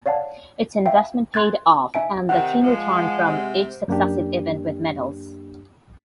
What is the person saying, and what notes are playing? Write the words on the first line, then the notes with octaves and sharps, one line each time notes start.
Its investment paid off and the team returned from each successive event with medals.
C#5 D5 F5 F#5 A5
E5 F5 G5
C6 F#6 G#6 A6
D#4 E5 G#5 D7
C3 D#3 F#5
F3 G#3
C3
F#2 A#3 D4 G4